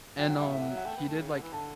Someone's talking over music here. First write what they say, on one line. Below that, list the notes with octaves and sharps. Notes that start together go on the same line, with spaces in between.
And, um, he did like
F#3 G5
F#5
G3
E5
B2
A2 E5
F#5
F#3
F#5
A3 G5
B3
A3
C#3
D3
E3
D3 A5